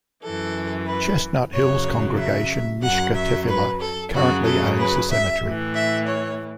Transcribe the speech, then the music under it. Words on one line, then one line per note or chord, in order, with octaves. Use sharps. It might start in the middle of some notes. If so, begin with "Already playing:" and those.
Chestnut Hill's Congregation Mishka Tefila currently owns the cemetery.
F#2 E3 A4
B4
F#2 C#3 F#3 C#5
E5
F#2 F#3 F#5
E5
B4
A4
F#2 C#3 F#3 F#4
A4
B4
E5
A2 E3
E5
C#5